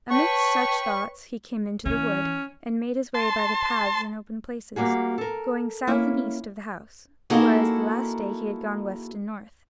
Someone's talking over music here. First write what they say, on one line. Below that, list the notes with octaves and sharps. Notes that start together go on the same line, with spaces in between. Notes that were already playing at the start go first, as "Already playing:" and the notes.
Amidst such thoughts he came into the wood, and made his way by the paths and open places, going south and east of the House: whereas the last day he had gone west and north.
B4 C#5 G5 A5 C#6
E3 C#4
A5 C6
G3 A#3 F#4 G#4
A4 A#4
A#3 C#4 E4
A#3 D#4 E4 F#4 G#4 A4